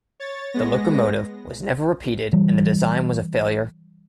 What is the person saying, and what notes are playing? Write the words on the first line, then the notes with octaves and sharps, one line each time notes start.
The locomotive was never repeated and the design was a failure.
C#5 A6
G#3 B3 A#6
E3 G3